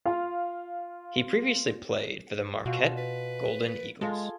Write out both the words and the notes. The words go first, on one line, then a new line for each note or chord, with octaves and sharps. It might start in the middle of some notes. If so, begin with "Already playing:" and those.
He previously played for the Marquette Golden Eagles.
F4 F5
B2 F4 F#4
B4
G#3 F4 G#4 A4